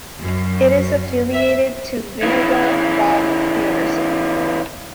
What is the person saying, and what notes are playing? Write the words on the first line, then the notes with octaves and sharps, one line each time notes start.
It is affiliated to Vinoba Bhave University.
F#2
E5
C#3 E3